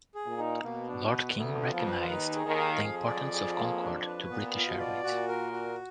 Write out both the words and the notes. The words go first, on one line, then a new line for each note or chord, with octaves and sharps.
Lord King recognised the importance of Concorde to British Airways.
G#4
A#2
D#4
B2 A#3
D4
B4
D2 D3 B3
F4
F2 F3
B4
D#2 D#3 D#4
G#4
D#2 D#3
F5
F2 F3 G#4
D5
G#4
A#3
D4
B4
A#2 B3
F4
B2
D5
A#2 F#4
A#4
F#4